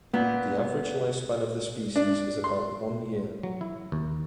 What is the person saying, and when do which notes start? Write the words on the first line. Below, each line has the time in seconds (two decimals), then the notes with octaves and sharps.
The average lifespan of the species is about one year.
0.13 A#2 B3
1.96 D4
2.44 C6
3.43 F#3
3.61 E4
3.92 D#2